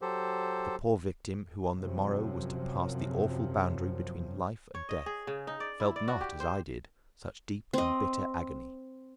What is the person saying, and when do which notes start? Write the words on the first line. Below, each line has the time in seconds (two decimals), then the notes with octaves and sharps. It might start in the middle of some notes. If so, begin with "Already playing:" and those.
The poor victim, who on the morrow was to pass the awful boundary between life and death, felt not, as I did, such deep and bitter agony.
0.02 F#3 G4 A4 C5
1.79 F#2 C3 F3 F#3
4.74 C#5
4.89 D#5
5.06 G#4
5.27 C#3
5.47 D#4
5.60 D5
5.80 E4
5.96 D5
6.08 F#4
6.21 G4
6.40 C5
7.73 C4 D#5